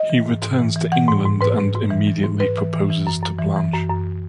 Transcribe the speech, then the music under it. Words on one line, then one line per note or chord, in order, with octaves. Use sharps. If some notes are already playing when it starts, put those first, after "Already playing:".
He returns to England and immediately proposes to Blanche.
Already playing: D#5
E3
G#2
G#2
E3
E3
E3 F#5
G#2
G#2
G#2 B4
G#2
G#2
E3
E3
G#2
G#2 B4
E3
E3
E3
F#2
F#2
E3
E3
F#2
F#2